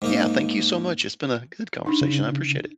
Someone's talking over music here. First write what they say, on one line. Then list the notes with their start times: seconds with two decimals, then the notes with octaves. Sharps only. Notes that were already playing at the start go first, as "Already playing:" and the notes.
Yeah. Thank you so much. It's been a good conversation. I appreciate it.
0.02 G#2 A#3 D#4
1.86 D4 D#4
2.01 C#3